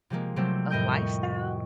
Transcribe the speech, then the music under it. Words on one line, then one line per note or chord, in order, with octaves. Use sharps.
a lifestyle?
C3 F3 G#3 A#3
C3 F#3 G3 A3 C4
F2 A2 A#4 D#5 G5 G6
C#6